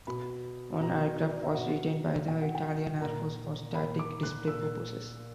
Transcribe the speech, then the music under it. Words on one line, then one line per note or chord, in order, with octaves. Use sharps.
One aircraft was retained by the Italian Air Force for static display purposes.
B2 B5
B2 A#5
D5
E5
B2 F#5
B2 G5
F#5
G5
A#2 A#5
A#2 B5
D6
F#6
A#2 E6